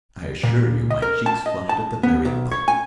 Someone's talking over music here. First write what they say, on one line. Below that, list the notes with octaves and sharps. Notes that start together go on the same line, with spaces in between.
I assure you my cheeks flushed at the very thought.
A#2
D#5
A#4
A5
D#5
A5
B3
B1
C#5
G#5